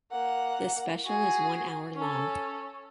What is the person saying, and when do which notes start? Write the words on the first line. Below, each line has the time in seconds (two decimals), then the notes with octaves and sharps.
The special is one hour long.
0.12 A#3 F#5
1.04 F#4 G#4
1.95 C#4 A4